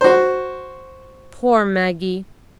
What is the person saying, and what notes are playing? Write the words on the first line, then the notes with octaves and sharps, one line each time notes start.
Poor Maggie!
F#4 C5